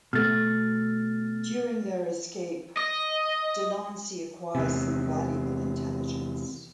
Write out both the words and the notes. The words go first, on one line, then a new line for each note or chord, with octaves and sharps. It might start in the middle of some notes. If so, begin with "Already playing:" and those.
During their escape Delancey acquires some valuable intelligence.
B2 A3 F6 A6
D#5
E2 C3